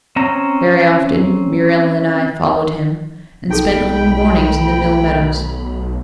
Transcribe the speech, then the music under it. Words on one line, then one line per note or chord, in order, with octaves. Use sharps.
Very often Muriel and I followed him, and spent whole mornings in the mill meadows.
C4 C#4 C#5 A#5
B1 A3 D#4 G#4 A4 G5 B5